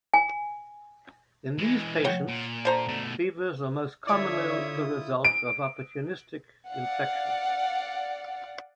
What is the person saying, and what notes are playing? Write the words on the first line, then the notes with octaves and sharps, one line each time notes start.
In these patients fevers are most commonly the result of opportunistic infections.
G#5
E3 G#3
C#5 F#5 G5
A#2
D3 C5 A#5
B2 A3
D3 E4 F4 C#5 D5 E5 D#6
D7
D5 F5 F#5